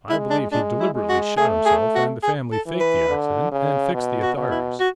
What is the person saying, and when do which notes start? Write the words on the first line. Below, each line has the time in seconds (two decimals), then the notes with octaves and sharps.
I believe he deliberately shot himself, and the family faked the accident and fixed the authorities.
0.09 G#3 E4
0.30 D4
0.52 G#3 D4
0.80 E4
0.95 G#3
1.09 F#4
1.37 A3 G#4
1.66 G#4
1.95 F#4
2.23 G#4
2.52 A4
2.66 E3
2.80 B4
3.09 D3
3.51 C#3
3.94 B2
4.22 F#4
4.37 B2
4.51 E4
4.80 F#4